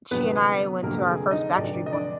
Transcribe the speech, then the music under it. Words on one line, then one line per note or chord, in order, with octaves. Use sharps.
she and I went to our first Backstreet Boy
F1 F2 D3 F#3 B3 B4
F1 F2 D3 F#3 A#3 A#4
G#4
D#4 D#5
F1 F2 D3 F#3 D4 D5
D#5
D4 D5